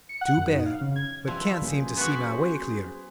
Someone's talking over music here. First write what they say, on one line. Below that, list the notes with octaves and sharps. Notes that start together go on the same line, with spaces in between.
Too bad; but can't seem to see my way clear.
C#7
F#5
F#2
D#4
F5
C#3
G#6
F3 G3 B3 E4
F#3 A#3 C#4 G#4 B4 C5
B3 F#4